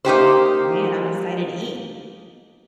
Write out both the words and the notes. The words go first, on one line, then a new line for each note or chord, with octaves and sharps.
man, I'm excited to eat.
A#3 D#4 G4 C5